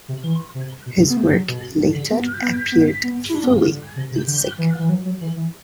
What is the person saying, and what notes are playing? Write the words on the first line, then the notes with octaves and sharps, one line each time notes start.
His work later appeared in "Fooey" and "Sick".
C3
E3
C3
B2
C3
B3
A3
F#3
B2
D3
D3
B3
B3
B3
B3
E4
D4
B3
C4
D3
C3
C3
D3
E3
E3
F#3
F#3
E3
E3